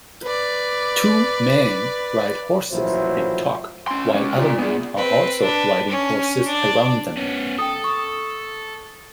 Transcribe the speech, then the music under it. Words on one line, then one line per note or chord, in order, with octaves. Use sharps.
Two men ride horses and talk while other men are also riding horses around them.
B4 D5
A1 A#2 F3 F#3 E4 C5
C#4 C6
G#3 C#4
F4 D5
B3 G#4
C4 B4
D4 B4
C#4
D4 D5
B3 C#4
A4 G5 D#6
C#6 D#6